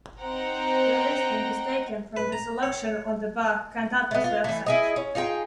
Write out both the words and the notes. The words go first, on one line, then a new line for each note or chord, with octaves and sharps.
The listing is taken from the selection on the Bach-Cantatas website.
C4 D#4 F#5 G5 A#5
B4
A#5
C#5
A3 B3
F4
E3 A3
E4 G#4 D#5
C#4
D#4 F4 G#4 G5